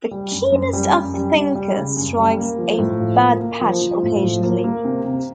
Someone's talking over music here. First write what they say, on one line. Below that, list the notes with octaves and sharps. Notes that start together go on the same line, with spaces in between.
The keenest of thinkers strikes a bad patch occasionally.
G3
F#2
F#2
G3
F#2
G3
G3
G3
C#3
F#2
G3
A#3
F3
A2
F3
A#3
A#3
F3
F3
A2
F3
A#3
A#3
C3
C3